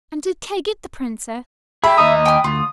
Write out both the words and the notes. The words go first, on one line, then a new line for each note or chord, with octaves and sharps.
"And did Kay get the Princess?"
G#4 E5 G5 B5
D#2 D#5 A#5 D#6
G5 G#5 F6
D2 F4